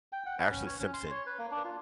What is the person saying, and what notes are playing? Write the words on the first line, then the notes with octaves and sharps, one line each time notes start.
Ashley Simpson.
G5
F#5
B4
C#4
C#5
C#4
C6
C#5
B4
A#3
D4
F4